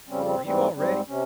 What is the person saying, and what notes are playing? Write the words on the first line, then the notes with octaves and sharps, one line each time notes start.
Are you all ready?
F2 C#3 G3 C4 C#4
C4
G#2 E3 G3 C4
G#2 G3 C4
C3 C#4